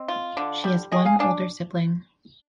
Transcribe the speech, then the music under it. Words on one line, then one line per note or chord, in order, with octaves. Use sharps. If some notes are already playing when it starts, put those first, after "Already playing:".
She has one older sibling.
Already playing: C4 D#5
F4
D3
G3
G#4 D#5 G5
F5 G#5
D4 F5 G#5